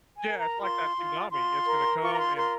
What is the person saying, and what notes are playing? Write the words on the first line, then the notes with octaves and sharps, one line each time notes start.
Yeah, it's like that tsunami, it's gonna come, and
G#5
A#4
A#5
F4 C6
F4
F4 C6
A#4
F4 C#6
A#5
C6
A#4 C6